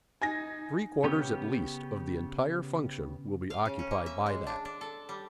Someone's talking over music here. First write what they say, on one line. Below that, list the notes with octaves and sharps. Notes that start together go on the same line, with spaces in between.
Three-quarters at least of the entire function will be occupied by that.
D#4 G#5 G#6 A#6
C#3 B3 C#4 G4
F5
C#3
C#4
A#3
E5
G#3
D4
D4
A4
G3